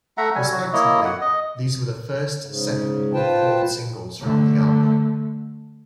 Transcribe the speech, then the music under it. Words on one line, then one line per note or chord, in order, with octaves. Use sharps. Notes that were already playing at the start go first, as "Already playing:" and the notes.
Respectively, these were the first, second, and fourth singles from the album.
A3 E5 F#5 A#5
F#3 G3 G#5
F#3 F#4
A#3 E4 C#5 D#5
F#5
D#5
G#2 C#3
F4 B4 C5 G5 A5
D3 A3